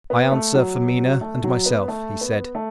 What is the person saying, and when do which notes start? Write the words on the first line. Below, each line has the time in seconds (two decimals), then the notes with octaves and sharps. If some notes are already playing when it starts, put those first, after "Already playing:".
"I answer for Mina and myself," he said.
0.10 B3
0.32 A3
0.55 F#3
1.21 A3
1.44 F#3
1.66 B3
1.88 A3
2.21 B3
2.55 A3